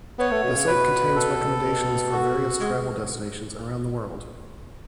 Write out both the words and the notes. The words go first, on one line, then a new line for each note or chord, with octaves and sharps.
The site contains recommendations for various travel destinations around the world.
B3 C#5
A3
B2
C#3
B2 B4
A4
B2
F#4
G#3